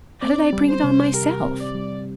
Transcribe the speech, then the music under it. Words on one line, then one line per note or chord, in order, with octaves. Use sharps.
"How did I bring it on myself?"
C4 D5
G3
C5
C3
G4 A#4
C4
D5
G3